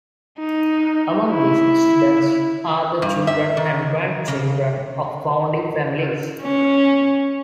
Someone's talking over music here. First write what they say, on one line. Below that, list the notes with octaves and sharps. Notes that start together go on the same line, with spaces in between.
Among these students are the children and grandchildren of founding families.
D#4
E4
G2
E5
D#3
C#3
C#4